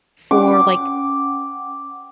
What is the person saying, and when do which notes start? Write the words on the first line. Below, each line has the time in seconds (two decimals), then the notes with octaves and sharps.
for, like,
0.31 C#4 F#5 G5 D6